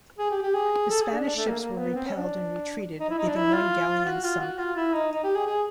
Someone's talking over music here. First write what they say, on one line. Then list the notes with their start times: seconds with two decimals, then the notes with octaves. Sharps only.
The Spanish ships were repelled and retreated leaving one galleon sunk.
0.19 G#4
0.31 G4
0.42 G4
0.54 G#4
0.90 A4
1.02 G#4
1.12 D4
1.24 D4
1.37 A3
1.48 A#3
1.60 A#3
1.78 B3
1.95 C4
2.07 C#4
2.18 D4
3.00 D#4
3.10 E4
3.18 D#4
3.27 D4
3.36 E4
3.54 F4
4.05 F#4
4.24 F4
4.41 F#4
4.59 F4
4.76 E4
4.94 D#4
5.12 D#4
5.24 G4
5.35 G#4
5.47 G#4